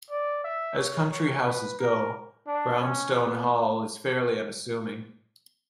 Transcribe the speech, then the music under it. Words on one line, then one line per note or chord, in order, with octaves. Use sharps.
As country houses go, Braunstone hall is fairly unassuming.
D5
E5
C#5
C#5
B4
A#4
D4
C#4
B3